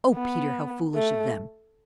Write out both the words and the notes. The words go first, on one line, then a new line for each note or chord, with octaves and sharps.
"Oh, Peter, how foolish of them!"
B3
A3